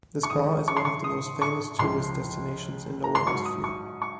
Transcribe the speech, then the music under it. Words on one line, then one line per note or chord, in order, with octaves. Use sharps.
The spa is one of the most famous tourist destinations in Lower Austria.
C#6
F2 D#3 G#3 D#6
C#6
C6
C#6
D#6
C#6
C#2 C#3 F3 C6
A#5
C6
G#2 F#3 C#6
D#6
C#6
C#6